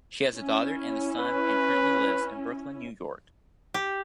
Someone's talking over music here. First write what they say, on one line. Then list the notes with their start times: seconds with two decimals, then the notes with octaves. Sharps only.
She has a daughter and a son and currently lives in Brooklyn, New York.
0.33 C#4 E4
1.20 B4
3.74 G4